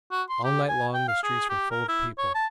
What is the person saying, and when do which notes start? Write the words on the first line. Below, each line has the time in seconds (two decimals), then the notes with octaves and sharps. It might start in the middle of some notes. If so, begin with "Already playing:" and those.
All night long the streets were full of people.
0.11 F#4
0.29 C6
0.44 G4
0.68 G#5
0.94 G5
1.08 F5
1.23 G#4
1.49 G4
1.71 A#4
1.88 E4
2.18 C#5
2.35 A5